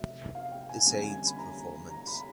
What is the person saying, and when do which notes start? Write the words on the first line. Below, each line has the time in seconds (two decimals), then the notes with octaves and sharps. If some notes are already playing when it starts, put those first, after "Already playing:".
This aids performance.
Already playing: F1 F#3 E5
0.35 F5
0.52 G5
0.69 G#5
0.86 F2 D3 G3 A#3 C#4 G#5
1.04 G#5
1.27 B5
1.37 A#5
1.89 A#5
2.07 B5